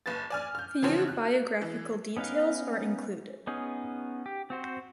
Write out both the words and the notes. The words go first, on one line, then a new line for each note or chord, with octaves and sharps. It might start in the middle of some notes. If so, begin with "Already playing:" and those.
Few biographical details are included.
F#1 B4 A6
D5 G#5 F6
F6 G6
C#3 E3 F3 C4 C#4
F#6
E3
B3 C#4 D#4 B4 F5
B3 C#4 D#4 G#4
G4
C4 F#4 C5